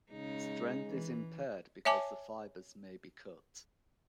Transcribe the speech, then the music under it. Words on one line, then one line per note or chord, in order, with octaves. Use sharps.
Strength is impaired because the fibres may be cut.
C#3 G#3 D#4
E3
C#5 E5 G#5 A5 D6